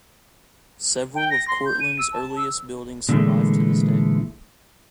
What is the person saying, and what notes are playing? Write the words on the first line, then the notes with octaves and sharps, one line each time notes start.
Several of Courtland's earliest buildings survive to this day.
G5
A#6
C6
G6
D#7
E6
A5
E6
A#2 D3 E3 G#3 A3